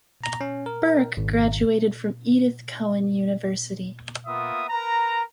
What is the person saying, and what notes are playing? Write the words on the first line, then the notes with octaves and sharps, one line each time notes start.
Burke graduated from Edith Cowan University.
A#5
C#4
A#4
G#1
A#3 B3 F4 E5 D#6
A#4 B4 A#5